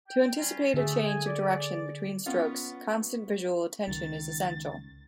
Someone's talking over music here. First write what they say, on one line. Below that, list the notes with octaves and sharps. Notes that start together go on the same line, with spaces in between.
To anticipate a change of direction between strokes constant visual attention is essential.
G5
G3 C#4 F4
D3 A3 G#4
G#5
D5
B3 C#4 F4
C#2 D#3 A6